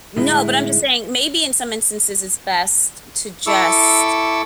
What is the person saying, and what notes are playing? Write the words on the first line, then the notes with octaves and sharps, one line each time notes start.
No, but I'm just saying maybe in some instances it's best to just
A2 D3 G#3 D#4 E4
E4 A4 C#6 D6 E6